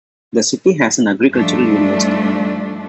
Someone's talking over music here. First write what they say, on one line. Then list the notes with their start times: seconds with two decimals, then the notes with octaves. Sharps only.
The city has an agricultural university.
1.34 G2 F3 G3 A3 D4 D#4